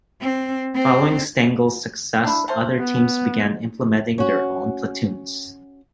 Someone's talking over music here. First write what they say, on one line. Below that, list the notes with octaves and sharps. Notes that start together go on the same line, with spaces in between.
Following Stengel's success, other teams began implementing their own platoons.
C4
C4
D4 E4
A3 C#4 C5
B3
C#4
C#4 F#4